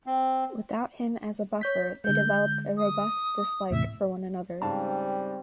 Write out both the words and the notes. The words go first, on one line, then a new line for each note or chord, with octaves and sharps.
Without him as a buffer, they developed a robust dislike for one another.
C4
C#5 G6 B6
D3 G#3 G6
D#6
E2 A2 C3 E5
G#2 C#3 G3 C4 A5